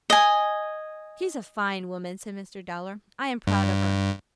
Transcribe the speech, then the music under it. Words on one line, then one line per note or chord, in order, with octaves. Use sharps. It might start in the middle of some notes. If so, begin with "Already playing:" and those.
'She's a fine woman,' said Mr. Dowler. 'I am proud of her.
D#5 G#5
G2